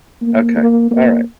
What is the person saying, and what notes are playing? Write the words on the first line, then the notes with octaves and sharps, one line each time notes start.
Okay. Alright.
A#3
A#3
A#3